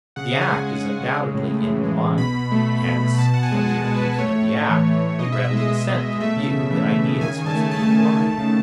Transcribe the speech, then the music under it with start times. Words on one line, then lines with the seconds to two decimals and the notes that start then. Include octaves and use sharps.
The act is undoubtedly in the mind; hence, when we are thinking of the act, we readily assent to the view that ideas must be in the mind.
0.16 C#3 F#5
0.33 C#3 F#5
0.41 G#5
0.50 G#3
0.66 G#3
0.83 C#3
1.00 C#3
1.17 G#3
1.34 A2
1.51 A2
1.67 E3
1.84 G#3
2.00 A2
2.17 B2 B5
2.34 B2
2.52 A3
2.68 A3
2.85 B2
3.02 B2
3.18 B2 A5
3.34 B2 F#5
3.43 G#5
3.52 G#3
3.68 G#3 F#5
3.85 B2
3.94 B4
4.03 B2
4.19 A3 C#5
4.35 A2
4.52 A2
4.69 E3
4.86 A3
5.03 A2
5.19 B2 D#5
5.32 E5
5.37 B2
5.45 E5
5.53 G#3 D#5
5.71 G#3
5.86 B2
6.03 B2
6.20 A3 E5
6.37 C#3
6.55 C#3
6.70 E3
6.88 A3
7.05 C#3
7.21 D#3 G#5
7.38 D#3
7.46 A5
7.55 A3
7.71 A3 A5
7.88 D#3
8.04 D#3
8.22 A3
8.38 C#3